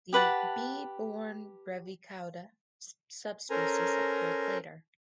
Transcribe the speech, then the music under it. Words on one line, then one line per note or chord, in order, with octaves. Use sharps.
The "B. born brevicauda" subspecies appeared later.
G4 B4 F#5 A5
C#4 A4 A#4 C5 G#5 A#5